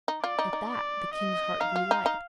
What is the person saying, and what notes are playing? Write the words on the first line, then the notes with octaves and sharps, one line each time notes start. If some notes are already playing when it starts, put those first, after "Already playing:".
At that the king's heart grew light.
D#4
F4 D5
D#4
D#4
D5
D#5
D#4 F5
F4
D#4
D#4